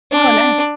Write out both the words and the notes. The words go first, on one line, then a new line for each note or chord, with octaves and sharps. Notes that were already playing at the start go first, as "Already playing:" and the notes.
Oh, nice.
D4